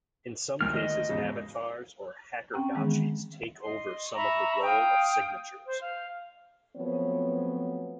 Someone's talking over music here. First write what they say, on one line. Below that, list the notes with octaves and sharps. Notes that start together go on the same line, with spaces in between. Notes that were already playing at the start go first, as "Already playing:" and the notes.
In some cases avatars or hackergotchis take over some of the role of signatures.
D2 D#3 F6
D#5
E2 G#2 C#3
C4 C#4 F#5 G5 A#5
D#3 E3 F#3 G#3 B3 G#4
D#5 C6
E5 A#5 B5 C#6
F5 G5 D#6
C5
F5
F3 F#3 A3 B3 C4 C#5